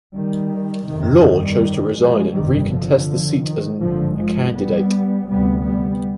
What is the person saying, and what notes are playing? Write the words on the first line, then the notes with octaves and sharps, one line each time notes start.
Law chose to resign and recontest the seat as an candidate.
D#3 G3
G1 F2 C3 D#3
D#3 G3
F3 G#3
G1 F2 C3 D#3 G3
D3 F3
D#3
G#1 G2 D3 F3
F3 G#3
G3 B3
D2 C3 G3 B3
G3 B3